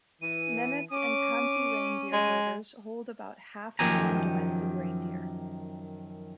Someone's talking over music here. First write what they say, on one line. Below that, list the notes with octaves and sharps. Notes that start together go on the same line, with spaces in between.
Nenets and Khanty reindeer herders hold about half a million domestic reindeer.
E3 D#7
C#4 D6 D#7
G#3
F#2 D#3 F3 G4 G#5 A#5